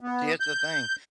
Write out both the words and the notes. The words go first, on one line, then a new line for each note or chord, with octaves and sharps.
here's the thing.
B3
G6